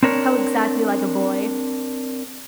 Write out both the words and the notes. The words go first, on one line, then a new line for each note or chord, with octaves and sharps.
How exactly like a boy!
C4 D4 A#4 C#5